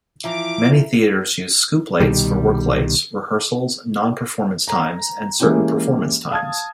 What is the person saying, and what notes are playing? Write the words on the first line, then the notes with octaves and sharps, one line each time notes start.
Many theaters use scoop lights for worklights, rehearsals, non-performance times, and certain performance times.
E3 F3 E5 A#5 D6
C2 B2 D#3 G3
A#5
E3 G#3 A#3 C#4 E4 G4
F5 A5 D#6 G#6